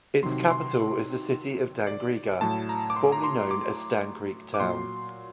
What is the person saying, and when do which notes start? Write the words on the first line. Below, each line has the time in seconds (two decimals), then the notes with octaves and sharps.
Its capital is the city of Dangriga, formerly known as Stann Creek Town.
0.23 C3 D#3 F#3 C6
0.50 C6
1.87 D5
2.41 A2 F#3 A5
2.69 A#5
2.90 D6
2.96 C6
3.12 A#5
3.24 C6
3.51 D6
4.54 D6
4.60 A#2 F#3 C6